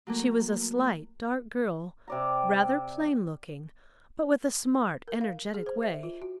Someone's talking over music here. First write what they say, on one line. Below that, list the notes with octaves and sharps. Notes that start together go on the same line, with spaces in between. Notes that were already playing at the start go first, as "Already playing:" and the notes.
She was a slight, dark girl, rather plain-looking, but with a smart, energetic way.
F#3 A3 A#3
C3 D5 A#5
A#4
F5
G#4
C5
E5
F4
F#4